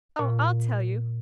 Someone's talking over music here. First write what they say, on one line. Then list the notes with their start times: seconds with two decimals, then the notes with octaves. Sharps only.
Oh, I'll tell you!
0.19 A#2